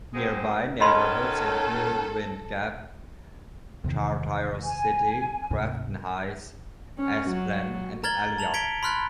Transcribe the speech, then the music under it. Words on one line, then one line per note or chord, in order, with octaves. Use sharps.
Nearby neighborhoods include Windgap, Chartiers City, Crafton Heights, Esplen, and Elliott.
F#2 G#3 C4
D#3 F#3 C#4 A4 D#5 B5 C6
C#5
E2 C3 D#3
G#5
D2 G#2 C3
C#4
F#3
A#5 F6 G#6 A6 F#7 G7
A5 F7 F#7
G#6 B6 C#7 D7 G7
B5 C6 F6 F#6 A6